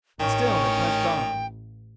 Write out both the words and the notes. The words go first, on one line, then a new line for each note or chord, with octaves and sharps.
And still they pressed on.
A1 D#3 C#4 G5